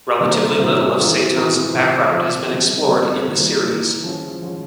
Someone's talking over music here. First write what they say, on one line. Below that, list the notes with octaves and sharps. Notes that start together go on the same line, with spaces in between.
Relatively little of Sato's background has been explored in the series.
C3 G3 A#3 F4 C5
C3 G3 A#3 F4 C5
E3 G#3 C4 F4 A#4
E3 G#3 C4 F4 A#4
C3 F3 C4 F4
C3 F3 C4 F4
C#3 G3 C4
C#3 G3 C4
E3 G3 A#3
E3 G3 A#3
F3 G#3 C#4 F4 G#4
F3 G#3 C#4 F4 G#4